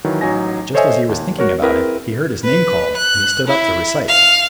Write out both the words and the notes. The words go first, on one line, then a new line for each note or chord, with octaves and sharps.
Just as he was thinking about it, he heard his name called, and he stood up to recite.
D#3 E3 F#3
A1 F#3 D#4 G#5 A#6
A4 C5 C#5 D#5 E5 G#5
D#2
F#4 A#4 C#5
C4 E4 G#4 A#4 B4
B4
F#6
E4
F5